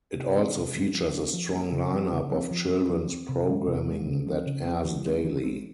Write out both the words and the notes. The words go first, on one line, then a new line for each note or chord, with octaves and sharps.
It also features a strong lineup of children's programming that airs daily.
C3
E3 G#3 C4
C3
E3 G#3 C4
F3
A#3 C#4
F3
A#3 C#4
C#3
F3 C4
C#3
F3 C4
F3
C4
F3
C4
C3
E3 G#3
C3
E3 G#3
C#3
F3 C4
C#3
F3 C4
E3
G#3 C4
E3
G#3 C4